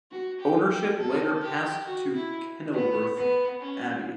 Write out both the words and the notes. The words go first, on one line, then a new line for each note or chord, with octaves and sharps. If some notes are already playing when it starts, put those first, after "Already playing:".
Ownership later passed to Kenilworth Abbey.
F#4
G4
G4
A4
G4
F#4
E4
B3
B3
C#4